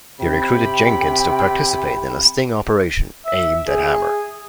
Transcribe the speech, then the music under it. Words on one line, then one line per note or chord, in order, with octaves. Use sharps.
They recruited Jenkins to participate in a sting operation aimed at Hammer.
C3 G5 B5
E5
G#4